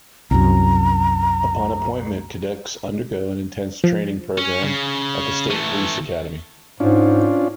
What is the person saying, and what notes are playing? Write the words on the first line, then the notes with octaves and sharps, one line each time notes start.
Upon appointment, cadets undergo an intense training program at the State Police Academy.
C2 F#2 A#5
F3
C#4
C#3
E3 A3 D#7
G#2 C#4 D4 F4